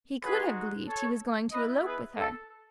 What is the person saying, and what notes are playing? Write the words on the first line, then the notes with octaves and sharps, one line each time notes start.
He could have believed he was going to elope with her.
G#3 D#4 F#4 G#4 B4
A4 C#5
B3 E4 B4 D#5
G#4 B4
A4